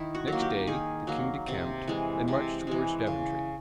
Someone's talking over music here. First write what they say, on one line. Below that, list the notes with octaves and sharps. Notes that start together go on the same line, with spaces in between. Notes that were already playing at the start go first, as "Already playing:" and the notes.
Next day, the king decamped, and marched towards Daventry.
Already playing: D#3 E4
F#4
F#3 A#3
G4
D#3 G#4
F#3 A#3
C3
E3 G#3
C3
E3 G#3
C#3